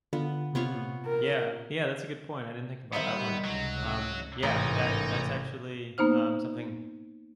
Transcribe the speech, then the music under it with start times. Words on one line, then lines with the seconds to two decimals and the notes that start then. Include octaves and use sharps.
Hmm, yeah, yeah. That's a good point. I didn't think about that one. Um, yeah, that that's actually, um, something
0.13 D3 B3 F4
0.55 C3 B3 F4 C#5
1.06 A#4
2.93 D#3 G3 B3 D#4 C5 E5
3.44 C#2 C3 F#3
4.43 A1 G#2 C3 A3 D#4 A#4 D#5
5.98 A#3 B3 D#4 C5 F6